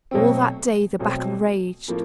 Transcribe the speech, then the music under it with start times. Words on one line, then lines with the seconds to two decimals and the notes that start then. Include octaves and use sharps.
All that day the battle raged.
0.11 B2 F#3 A3 C4
0.99 B2 F#3 A3 C4
1.88 A2 F3 A#3